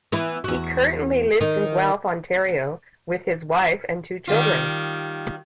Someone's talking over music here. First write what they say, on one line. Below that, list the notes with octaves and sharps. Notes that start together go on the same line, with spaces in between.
He currently lives in Guelph, Ontario with his wife and two children.
E3 B3 E4
E2 F#4
D#3
D#3 G3 F4